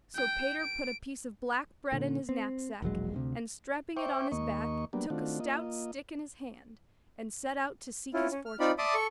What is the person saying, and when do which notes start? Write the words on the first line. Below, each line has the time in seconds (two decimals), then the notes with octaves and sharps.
So Peter put a piece of black bread in his knapsack, and strapping it on his back, took a stout stick in his hand, and set out to seek his fortune.
0.16 G5
0.60 D7
1.92 A#2 D3
2.29 C4
2.82 E1 A#1 F#3 G#3
3.13 D2 C3
3.97 C5 E5 G5 C#6 D6
4.32 D#2 A#3 D#5 C#6
4.93 F#3 G3 A#3 B3 D4
5.10 D#3 A3 C4 D4 F4 F#4
5.40 A#3 F4 D#5
8.14 C#4 E4 F4
8.31 C#4
8.46 F6
8.60 C4 D#4 F4 D5 B5
8.78 D5 E5 A5 C6 D6 D#6
8.94 A4 C#6